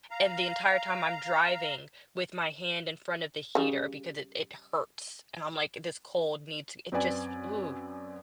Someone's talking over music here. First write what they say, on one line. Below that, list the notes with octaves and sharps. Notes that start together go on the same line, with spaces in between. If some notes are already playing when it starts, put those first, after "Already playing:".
and the entire time I'm driving with my hand in front of the heater because it it hurts. And I'm like, "This cold needs" It just Ooh,
F5 A#5
C#3 G3
F#2 C4 B4 D5 G#5